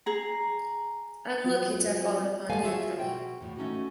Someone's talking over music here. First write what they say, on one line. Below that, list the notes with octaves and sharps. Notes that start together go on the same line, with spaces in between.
I'm lucky to have fallen upon you, Kelly.
G#4 A#5
F3 F#3 C4
G#3 A3 B3 A4 F5 G#5
F4 F#4 G#4 E5
B2 F#4 G5
E2 A2
A3 C#4 D#4 F#4